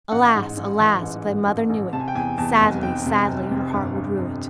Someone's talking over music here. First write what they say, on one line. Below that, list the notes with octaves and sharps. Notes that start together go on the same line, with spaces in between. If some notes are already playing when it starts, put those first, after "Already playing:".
"Alas! alas! if thy mother knew it, Sadly, sadly her heart would rue it."
A1 F#5
G#2
A1
E3
A1
G#2
A1
A1
C3 A5
G#5
G5
E2 G#5
E2 A5
F1
F1 G5
C3
F1
C3
G1
G1
F2